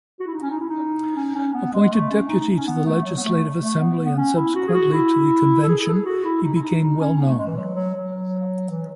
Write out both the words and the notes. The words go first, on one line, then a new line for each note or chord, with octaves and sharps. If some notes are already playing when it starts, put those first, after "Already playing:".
Appointed deputy to the Legislative Assembly and subsequently to the Convention, he became well-known.
F#4
E4
D#4
C#4
D#4
E4
D#4
C#4
C#4
B3
G#3
A3
C#4
D#4
D#4
C#4
B3
A3
F#3
B3
A3
A3
B3
B3
C#4
E4
F#4
G#4
F#4
E4
A4
G#4
G#4
A4
G#4
F#4
E4
D#4
E4
D#4
D#4
C#4
B3
A3
G#3
E3
F#3
F#3
F#3
E3